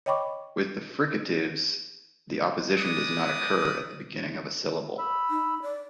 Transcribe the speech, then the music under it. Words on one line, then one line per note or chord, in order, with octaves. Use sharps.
With the fricatives, the opposition does not occur at the beginning of a syllable.
C#5 D#5 G5 B5 C#6 D6
G#3 B4 D5 D#6
B5 E6
D#4
D5